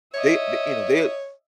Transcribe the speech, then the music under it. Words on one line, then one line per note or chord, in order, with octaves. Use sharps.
they th you know, they
C#5 D#5 E5